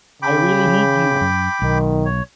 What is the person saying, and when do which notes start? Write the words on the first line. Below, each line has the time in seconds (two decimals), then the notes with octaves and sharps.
I really need you.
0.22 C#3 G5 B5 D6
1.21 F#2
1.62 B1 D#3
2.05 C#5